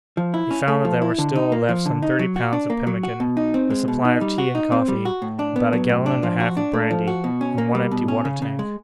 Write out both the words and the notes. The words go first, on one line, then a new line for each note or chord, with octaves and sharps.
He found that there were still left some thirty pounds of pemmican, a supply of tea and coffee, about a gallon and a half of brandy, and one empty water-tank.
F3
E4
C#4
A3
F3
E4
D3
D#4
A#3
F3
D3
D#4
F#3
F#4
D4
A#3
F#3
F#4
B2
D#4
C4
G#3
B2
D#4
G3
F#4
D#4
C4
G3
F#4
A2
D4
B3
F#3
A2
D4
F3
F#4
D4
A3
F3
F#4
B2
C#4
A#3
G3
B2
C#4
C#3
C#3
G#3